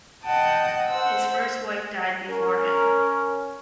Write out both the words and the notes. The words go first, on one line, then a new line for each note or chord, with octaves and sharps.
His first wife died before him.
D#5 F#5 G5 A5 D#6
C5 F#5 E6
C#4 A#4